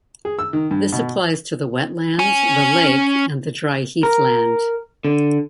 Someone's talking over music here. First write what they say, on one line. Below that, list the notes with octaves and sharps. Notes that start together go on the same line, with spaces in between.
This applies to the wetlands, the lake and the dry heathland.
G#4
E6
D#3
G2
B2
C#4 G#5
A#4
D3